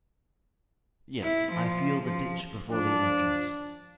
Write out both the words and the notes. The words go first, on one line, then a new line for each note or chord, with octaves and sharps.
'Yes, I feel the ditch before the entrance.
E4
F3
F3
F3 D4